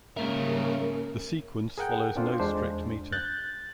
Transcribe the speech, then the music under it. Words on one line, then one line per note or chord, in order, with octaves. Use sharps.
The "Sequence" follows no strict meter.
G#2 C#3 G3 A#3 C#4 A#4 E5
G#4 A#4 F#5 G5
C4 D4 F4 A4 C5
E2 G#3 D4 C5
F#6 G6 A6